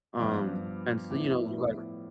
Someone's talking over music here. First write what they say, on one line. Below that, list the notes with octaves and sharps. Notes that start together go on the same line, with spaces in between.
um, and so, you know, like
G2 F3 B3 D6
A2 F3 B3 E4 D6